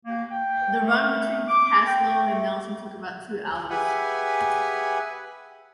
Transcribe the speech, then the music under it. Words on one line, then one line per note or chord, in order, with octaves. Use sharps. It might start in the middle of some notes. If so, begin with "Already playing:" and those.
The run between Kaslo and Nelson took about two hours.
A#3
G5
A3
D6
G5
A3
G4 G#4 B4 E5 F#5 G#5